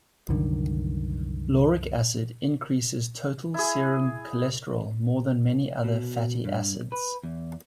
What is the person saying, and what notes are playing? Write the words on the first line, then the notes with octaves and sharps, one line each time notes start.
Lauric acid increases total serum cholesterol more than many other fatty acids.
C2 F#2 D3 D#3
E4 G#4
B2
G2
B4
E2